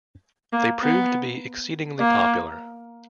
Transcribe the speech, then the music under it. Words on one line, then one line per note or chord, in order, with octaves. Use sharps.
They proved to be exceedingly popular.
A#3
B3
A#3